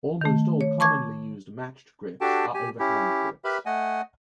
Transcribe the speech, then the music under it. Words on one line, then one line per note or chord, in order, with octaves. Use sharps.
Almost all commonly used matched grips are overhand grips.
D#3 A3
C#5
A5 C#6 D6 G#6
D4 F#4 G4 A4 G5 A5
G4 G#5
C#4 E4 G4
G4 A#4 B4 E5 B5
A3 D#5 F#5 G#5